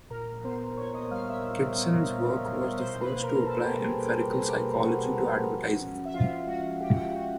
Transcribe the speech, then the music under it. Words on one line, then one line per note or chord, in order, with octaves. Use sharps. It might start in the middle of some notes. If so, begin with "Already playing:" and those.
Kitson's work was the first to apply empirical psychology to advertising.
A#2 A#4 A#5
B3 C5 C6
A#2 C#5 C#6
D#5 D#6
G3 F5 F6
E5 E6
A#2
B3
A#2
G3
B2 C5 C6
B4 B5
A#3
A#4 A#5
B2 A4 A5
G4 G5
G3 G#4 G#5
G4 G5
B2 G4 G5
A#3 G4 G5
B2 F#4 F#5
G3
F3
C#4
E5
F3 F4 F5
G#3 F#4 F#5
F3 G4 G5
F#5
G4 G5
C#4 F#4 F#5